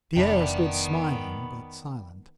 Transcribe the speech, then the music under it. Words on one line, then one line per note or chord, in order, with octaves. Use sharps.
Pierre stood smiling but silent.
F1 D#3 B3 D4 E5 G5 B5